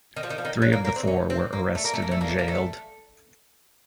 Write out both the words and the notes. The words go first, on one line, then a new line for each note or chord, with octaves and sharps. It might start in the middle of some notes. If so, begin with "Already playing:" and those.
Three of the four were arrested and jailed.
D#3
F3
D#3
F3
D#3
F#3
A#3
A#3
C4
C#4
C4
A#3
A3
A#3
A3
A#3
A3
A#3
A3
A#3
A3